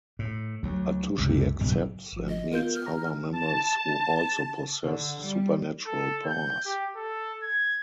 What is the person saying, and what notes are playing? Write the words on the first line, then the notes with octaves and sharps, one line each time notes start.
Atsushi accepts and meets other members who also possess supernatural powers.
A2
D2 F#3
C#2 F#2 C3
F#1 B1 G#2 B2
G#1 F3
D#5
B3 F4 A#4 G6
F6
A#5
A5
D3
G3
A4
G6
G4
A4
G#6